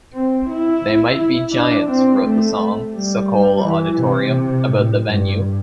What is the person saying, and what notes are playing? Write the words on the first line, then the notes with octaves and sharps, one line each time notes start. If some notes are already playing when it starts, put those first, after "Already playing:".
They Might Be Giants wrote the song, "Sokol Auditorium," about the venue.
C4
E4
E4
D4
C4
A3
G3
E3
C3
A2
G2